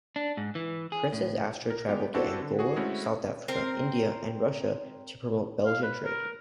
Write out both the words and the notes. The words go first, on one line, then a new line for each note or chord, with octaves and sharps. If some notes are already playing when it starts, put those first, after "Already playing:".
Princess Astrid travelled to Angola, South Africa, India and Russia to promote Belgian trade.
D4
G#2
E3
G#4
A2
A#4
G3 G#3 B3 G4
C4 D4 E4 F#4 G4 A4
D3
F#4 G#4
G#3 A3 C4 C#4 E4 F#4
C4 A#4
F5
B4
A#4